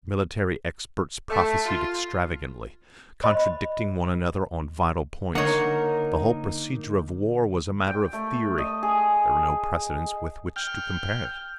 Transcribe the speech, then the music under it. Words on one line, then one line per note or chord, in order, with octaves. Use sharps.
Military experts prophesied extravagantly, contradicting one another on vital points; the whole procedure of war was a matter of theory; there were no precedents with which to compare it.
A3
F4
C5 D#5 B5
D3 A#3 D#4 A#4 C#5 F#5
G5
A3
D#5
G#4
G5 F6